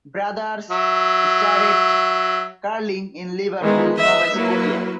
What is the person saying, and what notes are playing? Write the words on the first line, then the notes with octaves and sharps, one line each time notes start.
Brothers started curling in Liverpool, Nova Scotia.
F#3 E5
D#3 E3 G#3 B3 D#4
B4 D#5 E5
F#3 A#3 E4 B4